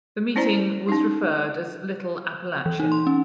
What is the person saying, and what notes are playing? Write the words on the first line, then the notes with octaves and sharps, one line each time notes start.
The meeting was referred as "Little Apalachin".
C#4 E4 C5 D5 A#5
C#4 D#4
E3
D#4
C6
C#4